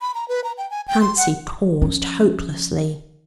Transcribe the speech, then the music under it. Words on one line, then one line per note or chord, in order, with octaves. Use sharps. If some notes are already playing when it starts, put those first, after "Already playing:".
Fancy paused hopelessly.
B5
A#5
B4
A#5
G5
G#5
G5
C6
F#5
F3 C#4